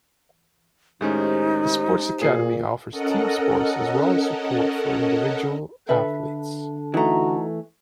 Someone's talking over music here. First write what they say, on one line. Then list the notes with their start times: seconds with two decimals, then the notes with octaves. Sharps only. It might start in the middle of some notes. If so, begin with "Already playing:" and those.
The Sports Academy offers team sports as well as support for individual athletes.
1.01 A2 D#3 G#3 C#4 D#4 G4 C5
2.22 A#2 G#4 C7
2.91 C#4 A4 A#4 D#5 F#5
5.89 D3 D4 A4 B4 E5
6.94 E3 A3 D#4 F#4 A#5